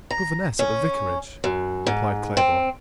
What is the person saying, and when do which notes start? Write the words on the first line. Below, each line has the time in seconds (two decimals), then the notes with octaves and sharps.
"Governess at the vicarage," replied Claybourne.
0.11 A#5
0.59 C#4
1.44 F#2
1.87 G#2
2.37 C4